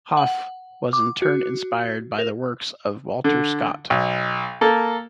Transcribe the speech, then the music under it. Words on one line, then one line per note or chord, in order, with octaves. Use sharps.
Hauff was in turn inspired by the works of Walter Scott.
F#5
D6
F#4
A#4
D3
B1
A#3 A4